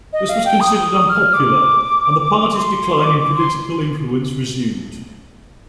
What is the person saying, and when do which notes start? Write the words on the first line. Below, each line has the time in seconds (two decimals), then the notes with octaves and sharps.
This was considered unpopular, and party's decline in political influence resumed.
0.13 D#5
0.29 F5
0.45 G5
0.61 D#6
1.09 F6
1.33 D6
2.55 C6
3.04 D6
3.20 D6
3.36 C6